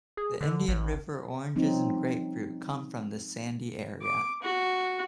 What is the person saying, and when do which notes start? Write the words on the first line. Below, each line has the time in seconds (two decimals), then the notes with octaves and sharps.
The Indian River oranges and grapefruit come from this sandy area.
0.17 G#4
0.41 D3
0.68 A1
1.56 F3 G3 C4 C#4 D#4
4.01 D6
4.42 F#4